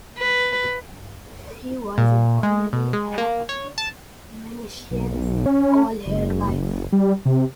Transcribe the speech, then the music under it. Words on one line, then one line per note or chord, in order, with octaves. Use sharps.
She was informally a Manichaean all her life.
B4
A#2
G#3
B2
G#3
A#3
C#5
A5
B1
C#4
F#1
G3
C3